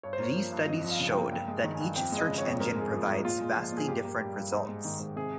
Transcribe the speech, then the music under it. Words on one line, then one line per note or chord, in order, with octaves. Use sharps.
These studies showed that each search engine provides vastly different results.
G2 C#5
C5
A#3 C#5
F3
G2
F2 D#5
F3
F5
C#3
A#3 G5
G2 G5
G#3
D#3
G#5
G2
F2 G5
G#3
D#5
C#3
C#5
F2
G#2 A#4
G#3
G#4
F3
G#2
A#2 F4
G#3
F3
A#2
G#4
G2 G4
A#3
G3
G2
G#2
G#3
D#3
G#2
C3 G#4